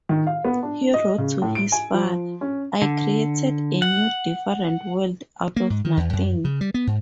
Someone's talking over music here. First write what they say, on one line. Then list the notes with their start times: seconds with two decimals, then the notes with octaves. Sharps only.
He wrote to his father: I created a new, different world out of nothing.
0.09 D#3
0.27 F5
0.45 B3
0.63 D4
0.94 D#5
1.18 C#3
1.42 A2
1.55 D7
1.72 G#5
1.94 F3
2.41 C#4
2.82 D3
3.82 F#5
5.56 A#3
5.70 G#2
5.85 D#3
5.97 E2
6.13 F#2
6.45 C#3
6.61 G3
6.74 B3
6.87 G#2